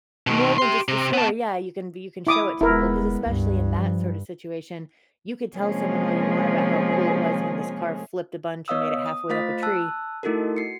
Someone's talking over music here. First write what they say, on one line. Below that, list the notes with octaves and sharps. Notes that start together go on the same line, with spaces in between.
More than just a story. Yeah, you can be you can show it to people, 'cause especially in that sort of situation, you could tell someone all you want about how cool it was when this car flipped a bunch, or made it halfway up a tree,
B2 D#3
G4 C6
C3
B3 A5
E4 D6 D#6
E1 G#3 B3 E4 A#4
C#2 G2
F3
C3 F3 G#3 A#3 C#4 G#4
B3 C#5 D#5 F5 D#6 E6
D#6
A3 F4 C5 F5 A6 B6
A5 E6 F#6
A3 D#4 E4 F#4 A4 A#4
F#4 C7 C#7